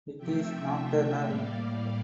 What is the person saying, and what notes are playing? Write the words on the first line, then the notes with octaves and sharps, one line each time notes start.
It is nocturnal.
C3 F3 A3 E5 G5
E5 G5
A2 G3 A#3 D5 F5